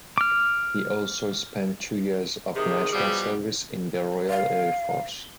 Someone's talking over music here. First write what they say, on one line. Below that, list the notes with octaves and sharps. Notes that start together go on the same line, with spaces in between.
He also spent two years of National Service in the Royal Air Force.
D6 F6
C3 D#3 G#4
B2 F3 G3
F5